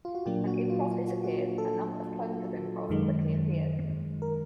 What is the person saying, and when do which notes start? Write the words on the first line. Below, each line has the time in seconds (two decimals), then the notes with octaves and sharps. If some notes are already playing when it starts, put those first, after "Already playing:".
When Improv disappeared a number of clones of Improv quickly appeared.
0.05 F4
0.15 F#4
0.26 A#2 F#3 A#3 D4 G4
0.47 F#4
0.70 F4
0.91 F4
1.08 F#4
1.24 F#4
1.58 A4
2.89 F#2 D#3 G#3
4.22 A#4